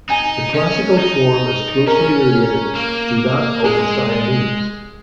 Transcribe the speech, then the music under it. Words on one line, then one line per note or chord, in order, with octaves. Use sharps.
The classical form is closely related to that of the Siamese.
D#4 G#5
C#4
D#4
C#4 A#4
A#3
G#3 G#4